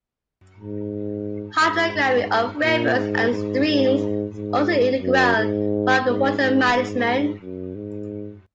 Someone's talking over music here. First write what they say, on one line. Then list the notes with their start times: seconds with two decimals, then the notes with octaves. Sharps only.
Hydrography of rivers and streams is also an integral part of water management.
0.57 G#2
1.60 G#2
2.62 A#2
2.96 G#2
3.30 G#2
3.65 G#2
4.33 G#2
5.01 F#2
5.36 G#2
6.04 G#2
6.39 G#2
6.73 G#2
7.41 F#2
7.75 G#2